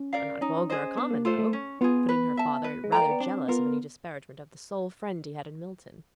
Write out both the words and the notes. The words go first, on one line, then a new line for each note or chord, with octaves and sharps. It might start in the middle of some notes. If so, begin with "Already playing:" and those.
'Not vulgar, or common though,' put in her father, rather jealous of any disparagement of the sole friend he had in Milton.
Already playing: C#4
A#4 D5 F5
C#4 D#4
G#4 C5 D#5
B3 D4
A#3
A3 F4 A4 C5
A3
C#4
B3 F4 G#4
B4
E5 A5
B4
G#3
A3 D5 G5 A#5
A#3
B3
C4 D4
B3 F4 A#4